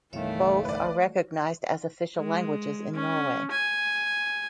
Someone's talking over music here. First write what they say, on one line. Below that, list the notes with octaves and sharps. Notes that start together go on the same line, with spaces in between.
Both are recognized as official languages in Norway.
G1 C2 D#3 E3 A3 C#5 E5 F5
B4 D5
G#3
C#4
G#5